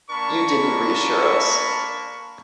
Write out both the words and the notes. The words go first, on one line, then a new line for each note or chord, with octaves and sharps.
You didn’t reassure us.
A#3 D4 A#4 A5 B5 C#6